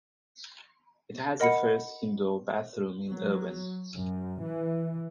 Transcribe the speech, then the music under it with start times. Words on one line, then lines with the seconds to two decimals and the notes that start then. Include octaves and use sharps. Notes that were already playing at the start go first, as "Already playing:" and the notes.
It has the first indoor bathroom in Erwin.
1.40 A#4 D#5 F#5 B5 C#7
3.07 F#3
3.94 F#2
4.42 E3